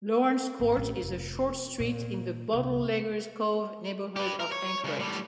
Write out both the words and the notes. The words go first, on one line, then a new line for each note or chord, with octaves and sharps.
Laurence Court is a short street in the Bootleggers Cove neighborhood of Anchorage.
G#1
A1
F1
A#2
C2
G4 B4
A#4
C#5
C#2 C#3
A2 G3